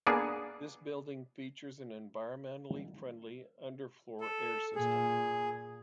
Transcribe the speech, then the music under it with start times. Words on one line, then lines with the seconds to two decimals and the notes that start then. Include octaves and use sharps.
This building features an environmentally friendly underfloor air system.
0.07 A#3 B3 D4 G#4
4.20 A4
4.75 A#2 G#4